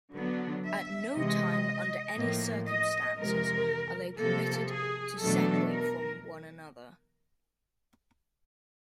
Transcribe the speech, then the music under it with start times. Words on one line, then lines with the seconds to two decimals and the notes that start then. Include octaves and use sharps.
At no time, under any circumstances are they permitted to separate from one another.
0.15 D3 F#3 B3 D4
0.65 E5
1.16 C3 E3 G#3 D#5
2.17 A2 F3 A#3
2.68 D#5
3.18 F2 C3 E3 G#3 A#4
4.20 C3 F3 A#3 A4
4.70 G#4
5.21 E2 B2 F#3 A3 D4 A4
5.71 A#4